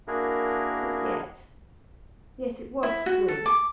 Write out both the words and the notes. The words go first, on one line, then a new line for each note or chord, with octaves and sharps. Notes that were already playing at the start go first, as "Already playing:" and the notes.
But yet,--yet it was sweet.
A#3 D4 E4 F#4 G#4 A#4
E4
F#4
A4
D6